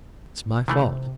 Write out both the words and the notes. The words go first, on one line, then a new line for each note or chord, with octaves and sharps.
It's my fault.
C3 D#3 E3 A3